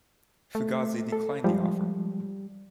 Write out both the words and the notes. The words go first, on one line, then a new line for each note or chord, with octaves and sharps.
Fugazi declined the offer.
A3
A4
F3 G3 G#3